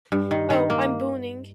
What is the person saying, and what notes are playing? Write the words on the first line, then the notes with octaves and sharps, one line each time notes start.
Oh, I’m burning!
G2
D#3
D#3
A#3